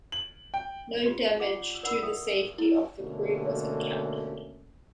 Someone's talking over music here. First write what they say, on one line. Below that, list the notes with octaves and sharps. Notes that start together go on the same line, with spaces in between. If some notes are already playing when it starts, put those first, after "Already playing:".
No damage to the safety of the crew was encountered.
F#7
G5
F4 G4 C6
F4 D5 F#5 D6
A#4 D5 F#5 B5 E6
E5 G5 D#6
E4 A#5
B2 D3 A3 A#3 C#4